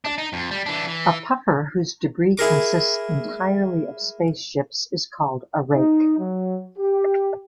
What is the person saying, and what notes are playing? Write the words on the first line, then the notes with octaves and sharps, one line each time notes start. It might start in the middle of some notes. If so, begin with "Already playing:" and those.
A puffer whose debris consists entirely of spaceships is called a rake.
D4
D#4
F2
G3
E3 D4
E3
E4 G#4 A#4 D6
D#4
F#3
G4